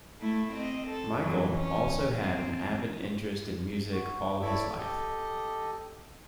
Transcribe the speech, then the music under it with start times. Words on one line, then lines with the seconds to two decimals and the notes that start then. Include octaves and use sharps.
Mykle also had an avid interest in music all his life.
0.21 A3 E4
0.52 C4 D#5
0.87 A4
1.18 F2 E3 F#3
1.52 C#4
2.15 C4
3.92 F#4
4.42 E4 A4 C#5 D5 B5 D6
4.78 G4 A4 D#5